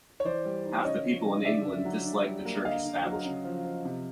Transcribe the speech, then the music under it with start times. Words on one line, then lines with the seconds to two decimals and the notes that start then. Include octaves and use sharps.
Half the people in England dislike the church establishment.
0.20 C#5
0.25 E3 C5 D5
0.46 G3
0.65 D#4
0.85 C#3 C#5 D#5
1.05 F3
1.25 C#3
1.45 D3 D5 E5
1.65 D3
1.85 F#3
2.05 D4
2.25 G3
2.45 A#3
2.64 D3 D#5 F5
2.85 D3
3.05 F#3
3.25 C#3
3.44 F3
3.64 F3
3.85 C3